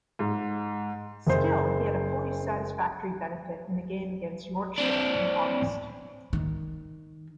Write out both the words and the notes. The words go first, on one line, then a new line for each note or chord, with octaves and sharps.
Still, he had a fully satisfactory benefit in the game against Yorkshire in August.
G#2
F#1 C5
C4 D4
D#3